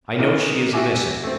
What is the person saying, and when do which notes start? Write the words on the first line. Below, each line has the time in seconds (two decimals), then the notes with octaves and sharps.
I know she is innocent.
0.18 E3 D4 D#4 A#4
0.73 F#4 G4 E5 G#5 D6
1.24 A3 C4